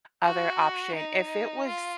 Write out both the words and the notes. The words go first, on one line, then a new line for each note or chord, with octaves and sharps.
other option, if it was
F#4
D#4
F4